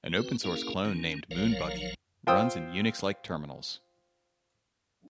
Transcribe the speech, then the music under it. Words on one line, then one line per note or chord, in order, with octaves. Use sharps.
An open-source clone named "moon-buggy" runs in Unix-like terminals.
C4 F#4 B4
A#3 C#4 E4 G#4 A#4 F5
D#3 C#4
A#1 F3 F#3 A#4 C#5 F5
F4 C5 G5 D#6 E6